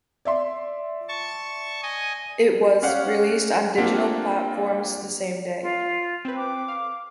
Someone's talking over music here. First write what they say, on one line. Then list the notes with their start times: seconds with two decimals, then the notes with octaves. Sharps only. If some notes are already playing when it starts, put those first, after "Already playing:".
It was released on digital platforms the same day.
0.25 D5 E5 C6
1.09 A5 C#6
1.83 D#5 G#5
2.82 C#4 G4 F5 F#5
3.78 A#3 C4 D4 F4 F5 F#5
5.62 F4
6.25 C4 B4
6.37 D6
6.68 F5